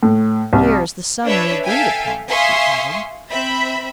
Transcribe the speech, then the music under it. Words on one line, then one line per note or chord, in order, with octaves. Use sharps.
"Here is the sum we agreed upon," she added.
A2
C2
D4 B4 C#5 E5
A4 E5 F5 G5 G#5
E5 F5 G#5 C6 C#6 D#6
C4 E5 B5